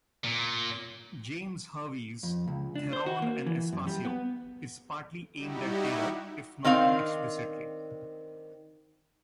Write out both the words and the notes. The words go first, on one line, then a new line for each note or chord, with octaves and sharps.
James Hervey's "Theron and Aspasio" is partly aimed at Taylor, if not explicitly.
A#2
F2
C#2
D4
C5
F#4
A#3
E3
F#2
G3
B3
G3 D#4 E4 F#4 G4
D#3 C4 D4 F5